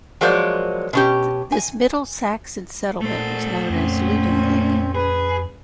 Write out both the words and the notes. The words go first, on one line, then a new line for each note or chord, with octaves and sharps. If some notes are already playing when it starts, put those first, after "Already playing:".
This Middle Saxon settlement was known as Lundenwic.
F3 F#3 G#3 A#3 C5 D5
B2 C#4 G4
G#5
A#2 A3 A4 C5
F2 A#2 C4 C#4
G#4 B4